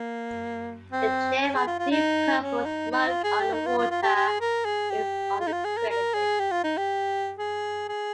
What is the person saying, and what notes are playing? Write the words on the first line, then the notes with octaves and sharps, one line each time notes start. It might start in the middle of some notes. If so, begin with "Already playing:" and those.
The jam of Deep Purple's "Smoke on the Water" is uncredited.
Already playing: A#3
C4
C#4
G#4
F4
F4
D#4
C#4
D#4
D#4
F4
G#4
G4
D#4
F4
F4
F4
G4
G4
G#4
A#4
G#4
G4
F4
D#4
F4
G#4
A#4
A#4
G#4
G4
F4
D#4
G4
G#4
G#4